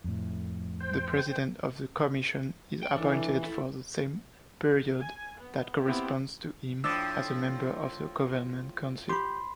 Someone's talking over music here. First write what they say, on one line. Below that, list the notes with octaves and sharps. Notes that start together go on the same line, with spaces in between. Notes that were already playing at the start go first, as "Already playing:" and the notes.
The president of the Comission is appointed for the same period that corresponds to him as a member of the Government Council.
F2 A2
C5 G5
G5
E3 D4 A4
E4 A4
G#5
B3
B3 C4 E4 F4 G4
A2 F3 D4 E6 A6
G4 B5 C6